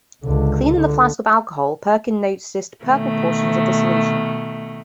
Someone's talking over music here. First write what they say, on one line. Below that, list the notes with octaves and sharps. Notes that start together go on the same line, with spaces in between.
Cleaning the flask with alcohol, Perkin noticed purple portions of the solution.
C#2 D3
D3
B2 D#3 A3